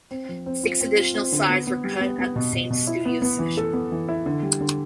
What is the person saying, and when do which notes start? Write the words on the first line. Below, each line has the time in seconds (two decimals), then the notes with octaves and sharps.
Six additional sides were cut at the same studio session.
0.11 C4
0.29 F3
0.46 C4
0.64 F4
0.81 C4
0.97 F4
1.14 C4
1.32 D3
1.49 B3
1.67 B3
1.84 G3
2.01 B3
2.18 B3
2.36 B2
2.53 B2
2.70 B2
2.87 E4
3.05 B3
3.22 B3
3.39 E3
3.57 A4
3.73 B3
3.92 E3
4.09 E4
4.26 D3
4.43 G3
4.60 D3